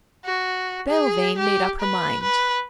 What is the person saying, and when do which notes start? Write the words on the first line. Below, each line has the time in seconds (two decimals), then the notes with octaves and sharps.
Belvane made up her mind.
0.25 F#4
0.88 G#4
1.38 G4
1.80 B4
2.23 B4